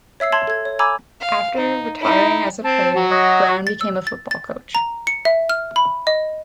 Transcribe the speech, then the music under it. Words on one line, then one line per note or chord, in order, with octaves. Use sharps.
After retiring as a player, Brown became a football coach.
C#5 E5 E6 C7
A5 C6 G#6 F#7
A4 G#6
C#5
G#5 A#5 B5 D6 E6 G#6
F5
D#4
D#4 E4
C4 A5
F#3 F#4
C#5 D#5 F#5
A6
E6
A6
A6
A#5
C#7
E5
F6
B5
D#5